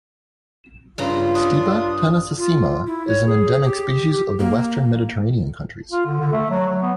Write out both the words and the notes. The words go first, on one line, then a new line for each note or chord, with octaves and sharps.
"Stipa tenacissima" is an endemic species of the Western Mediterranean countries.
G2 C#3 F4 A#5
D4 D#6
F4
E4
C#5
G#4
G4
A#3
F4
D3
D3
A3
F#3
F#3
B3